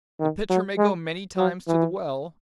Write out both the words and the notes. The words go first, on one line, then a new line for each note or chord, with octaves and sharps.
The pitcher may go many times to the well....'
D#3
F#3
G#3
F#3
E3